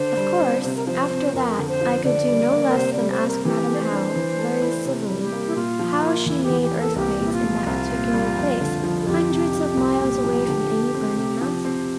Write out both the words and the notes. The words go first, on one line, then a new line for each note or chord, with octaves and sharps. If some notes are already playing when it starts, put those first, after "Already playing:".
Of course after that I could do no less than ask Madam How, very civilly, how she made earthquakes in that particular place, hundreds of miles away from any burning mountain?
Already playing: D3 D4 C5
G3
C4
C3 C5
A#4
F3 C5
C4
F2 A#4
D3
C5
F3
D3 D5
G3
A#3
A#4
C3 C5
D5
G3
C5
C4
A#4
E3 G4
A3
D5
C5
D4
E3
A3
E4
C3
G3
G4
A#3
E4
A#2 F4
F3
A#3
E2 E4
G4
E3
G4
A#3
A4
C2 G4
A#2 E4
F4
F3
C2
A#2
G3
F2
D3
F3
A4
F2 G4
C3
F3
C2
A#2
F3
D3
A3
C4
C3
F3
C4